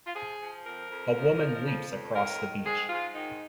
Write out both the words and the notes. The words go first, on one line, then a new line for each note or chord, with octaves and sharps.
A woman leaps across the beach.
F4
F3 G#4
F3
F2 A#4
F2
F3
F3
F2
F2
D#3 A#4
D#3
G#2 G#4
G#2 F4
D#3 D#4